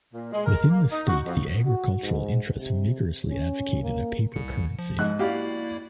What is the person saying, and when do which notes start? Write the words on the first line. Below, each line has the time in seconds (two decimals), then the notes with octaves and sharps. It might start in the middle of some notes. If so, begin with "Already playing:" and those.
Within the state the agricultural interests vigorously advocated a paper currency.
0.14 A#2
0.32 G#3
0.46 A#4
0.69 A#3
0.91 D#4
1.08 F#4
1.25 F2
1.66 F#4
2.02 G#2
2.57 C3
3.30 C#4
3.82 A#3
4.34 C2 C#7
4.79 F3
4.99 G#2 F#6
5.19 A#3 E4 F#4 G4 D5 F5